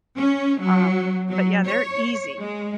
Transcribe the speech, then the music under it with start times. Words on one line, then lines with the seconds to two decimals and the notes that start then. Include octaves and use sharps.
um, but yeah, they're easy,
0.16 C#4
0.59 F#3
1.30 F#3
1.66 C#5
2.40 G#3